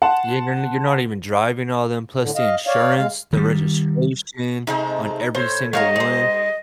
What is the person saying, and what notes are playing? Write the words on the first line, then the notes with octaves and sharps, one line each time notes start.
Yeah. You're no you're not even driving all them, plus the insurance, the registration on every single one,
F#5 A5 C6
A2 D3
D#5 F5
C#5 D5 F5
G#3 F5
D#3 G3
C3 G#3 A3 D#4
A2 C5 C#5
G3 C#5 D#5 F5 A#5
D#4 C5